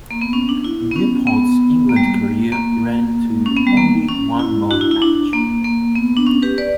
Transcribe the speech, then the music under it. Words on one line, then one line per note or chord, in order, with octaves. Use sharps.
Newport's England career ran to only one more match.
A#3
B3
C#4
D4
E4
B3
C#4
B3
A#3
G3
A#3
A#3
C#4
B3
G3
A#3
C#4
E4
D4 F#4
E4
E4
D4
A#3
A#3
B3
D4
C#4
G4 B4
B4 D5